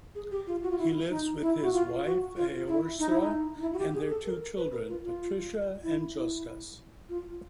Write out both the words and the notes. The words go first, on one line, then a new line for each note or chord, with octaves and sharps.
He lives with his wife, Aorsra, and their two children, Patricia and Jostas.
G#4
G4
F4
F#4
F4
E4
D#4
E4
F#4
F4
F#4
F4
E4
D#4
E4
D#4
D#4
E4
F#4
G4
G#4
A4
A#4
B4
A#4
F4
F4
E4
E4
F4